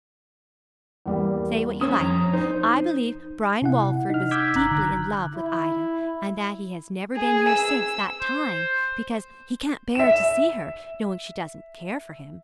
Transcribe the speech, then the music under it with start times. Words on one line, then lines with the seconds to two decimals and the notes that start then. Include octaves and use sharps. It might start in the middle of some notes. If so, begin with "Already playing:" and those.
'Say what you like, I believe Brian Walford was deeply in love with Ida, and that he has never been here since that time, because he can't bear to see her, knowing she doesn't care for him.'
1.06 E2 G3 A#3
1.81 C#4 C5 C#5 D#6
1.99 F2 A#5
2.34 D#4 C5
3.62 C3 E4 F#5
4.10 D#4 F6
4.31 D6 E6 G6 G#6 B6
4.55 G1 A#5 F#6
4.71 D3
5.35 E4
7.16 G#4
7.49 E6
8.21 C5
9.95 E5 E7